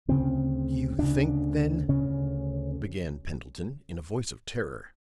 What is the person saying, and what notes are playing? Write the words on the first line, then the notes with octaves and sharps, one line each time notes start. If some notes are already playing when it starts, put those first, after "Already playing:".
"You think then--" began Pendleton in a voice of terror.
D2 C#3 C4
D2 C#3 D4
D2 C#3 C#4